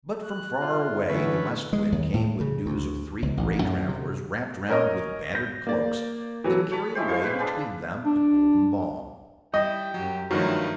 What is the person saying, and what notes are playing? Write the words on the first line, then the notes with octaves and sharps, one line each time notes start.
But from far away the West Wind came with news of three grey travellers wrapt round with battered cloaks that carried away between them a golden ball.
C#6 F#6
F4 E5
D3 E3 A3 C#4 B4
G#3
D#2
A2
C#3
D2
C#2
A1
F#2
C3
C#4 A#4 C#5 D#5
G6 A#6
A#3 D5
E3 F#3 A4
C#5 A5 B5
G#3 E4 G4 C5
F4 C5 E5 F5
B4 B5
D4 G#4 B5
D4
G3 E4 D#5 G5
F#2 F#3 G4
G2 D#3 F3 F#3 A3 D#4 E4 F5